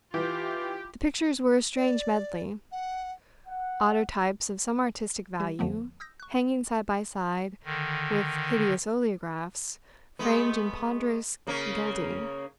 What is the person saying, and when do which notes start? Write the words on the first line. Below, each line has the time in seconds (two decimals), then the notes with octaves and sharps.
The pictures were a strange medley--autotypes of some artistic value hanging side by side with hideous oleographs framed in ponderous gilding.
0.14 E3 F4 G4
1.76 D5
2.72 F#5
3.47 F#5
5.40 G3 G4
5.59 F2 D3 F3 A3 B3
6.00 D#6 E6 G6 A#6
6.20 C#6 F#6
7.65 D3 D#3
10.19 G#3 A3 B3
11.47 C#3 A#3 C#4